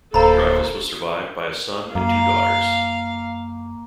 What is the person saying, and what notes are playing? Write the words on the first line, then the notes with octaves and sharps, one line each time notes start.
Dreyfuss was survived by a son and two daughters.
D1 A#3 A4 C5 A#5 B5
F#2 A#3 F5